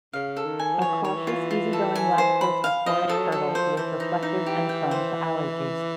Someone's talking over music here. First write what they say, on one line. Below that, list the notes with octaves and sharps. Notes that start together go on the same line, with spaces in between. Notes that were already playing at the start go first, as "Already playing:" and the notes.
A cautious, easy-going, lactose abhorrent turtle who is reflective and prone to allergies.
C#3 F5
A4
D#3
G#5
F3
C#5
E3
D#3 C#5
E3
F4
F4
A4
G#5
C5
B5
F5
F3 D#5
F3 A4
F#3
A4
F3
C5
E3 C5
D#4
D#4
G4
G5
C5